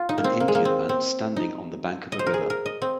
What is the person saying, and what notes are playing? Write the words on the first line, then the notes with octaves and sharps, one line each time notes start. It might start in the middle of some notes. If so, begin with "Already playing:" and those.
An Indian man standing on the bank of a river.
Already playing: F4
D#4
A#3
C4
A#3
G#3
A#3
C4
C4
D#4
D#5
C5
A#4
G#4
A#4
D#5
C4